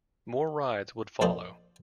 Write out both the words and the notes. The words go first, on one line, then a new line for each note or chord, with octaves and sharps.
More rides would follow.
A#1 A#3 A4 C5 D5 D#5